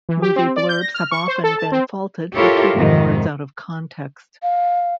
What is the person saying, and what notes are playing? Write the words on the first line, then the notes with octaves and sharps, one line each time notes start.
Movie blurbs have often been faulted for taking words out of context.
E3
G4
C4
D5
G6
A#6
F6
C#6
C5
A4
A5
C4
E4 F4 G4 A4 A#4 C#5
F2 G#2 C3 D#3
F5